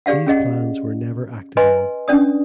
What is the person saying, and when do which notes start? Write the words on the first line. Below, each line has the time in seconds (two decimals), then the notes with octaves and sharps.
These plans were never acted on.
0.06 G4 G#4 D5 F5 F#5
0.27 C#4 G#4 D#5 F#5
1.57 B4 D#5 G#5 C6
2.08 C#4 D4 D5 D#6